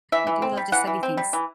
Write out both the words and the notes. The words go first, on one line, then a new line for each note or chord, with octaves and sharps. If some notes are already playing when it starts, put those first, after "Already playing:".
We do love to study things.
E3 E5
E3
C4
G3
E3 F#5
E3
C4
G3
E3